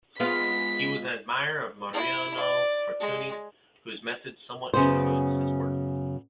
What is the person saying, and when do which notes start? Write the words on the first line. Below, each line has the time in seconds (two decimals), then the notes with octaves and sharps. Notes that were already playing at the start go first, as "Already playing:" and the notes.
He was an admirer of Mariano Fortuny, whose methods somewhat influenced his work.
0.20 G#3 B3 F4 B6
1.93 E4
2.39 D5
3.01 G#3
4.74 F#2 C#3 B3 C5